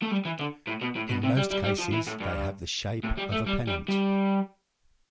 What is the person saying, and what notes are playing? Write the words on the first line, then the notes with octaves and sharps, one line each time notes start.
In most cases, they have the shape of a pennant.
A3
G3
E3
D3
A2
B2
A2
B2
C3
G3
G3
G3
F3
E3
A2
G2
A2
G3
A3
G3
G3
G3